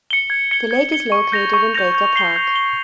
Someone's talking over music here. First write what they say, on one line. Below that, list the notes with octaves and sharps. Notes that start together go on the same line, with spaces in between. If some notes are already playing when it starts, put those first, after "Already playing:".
The lake is located in Baker park.
C#7 G7
G#6
C#7 G7
G#6
C#7 G7
C#6
G6 A#6 F7
C#6
G6 A#6 F7
G6
C7 G7
G6
C7 G7